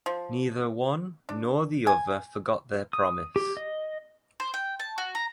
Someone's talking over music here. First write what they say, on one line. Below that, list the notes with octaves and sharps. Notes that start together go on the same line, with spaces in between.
Neither one, nor the other forgot their promise.
F3
D4
G#5
D#6
G4
D#5
C5
G5
A5
F#4
A#5